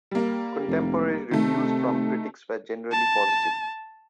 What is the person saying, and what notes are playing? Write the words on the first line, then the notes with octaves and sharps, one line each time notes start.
Contemporary reviews from critics were generally positive.
G3 A#3
F1
C3 D#3 A3
A5